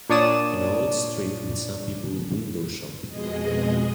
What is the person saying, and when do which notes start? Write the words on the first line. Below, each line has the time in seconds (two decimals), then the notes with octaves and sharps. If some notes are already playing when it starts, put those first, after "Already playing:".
An old street with some people windowshopping.
0.09 A#2 D4 C#5 D5 D#6 E7
3.08 F2 B2 G#3 G#4 D#5